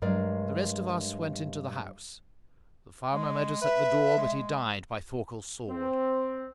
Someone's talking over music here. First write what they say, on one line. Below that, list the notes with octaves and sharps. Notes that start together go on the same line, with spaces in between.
The rest of us went into the house. The farmer met us at the door, but he died by Thorkel's sword.
G2 F#3 G#3 A#4 D5
G#3
B4 E5
G#3
C4